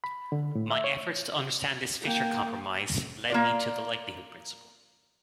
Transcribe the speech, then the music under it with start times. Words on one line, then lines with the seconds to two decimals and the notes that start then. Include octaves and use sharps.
My efforts to understand this Fisher compromise led me to the likelihood principle.
0.04 B5
0.32 D3
0.55 A2
0.70 E5
0.84 C#5
2.01 A#3 G5
3.30 A#3 F4 D5